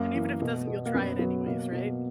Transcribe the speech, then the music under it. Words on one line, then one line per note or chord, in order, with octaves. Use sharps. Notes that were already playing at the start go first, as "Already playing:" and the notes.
And even if it doesn't, you'll try it anyways, right?
Already playing: F#2 A#3
E3
B2
B2
A#3
F#2 B3
F#3 B3
B2 A#3
B2